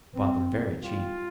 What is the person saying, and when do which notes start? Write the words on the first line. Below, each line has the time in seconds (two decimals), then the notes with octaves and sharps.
I bought them very cheap.
0.14 C4
0.83 G3 F4